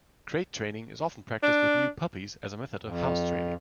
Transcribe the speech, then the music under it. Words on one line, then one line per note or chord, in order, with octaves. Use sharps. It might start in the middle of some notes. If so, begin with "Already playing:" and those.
Crate training is often practiced with new puppies as a method of house-training.
D4
F2